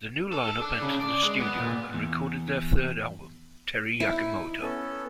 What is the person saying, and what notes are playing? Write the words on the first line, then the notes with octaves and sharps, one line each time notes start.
The new lineup entered the studio and recorded their third album "Teri Yakimoto".
A4
A4
D4
C#3
D5
G#3
B3
A#2
E2
D#4 E4
B3 C#4 A4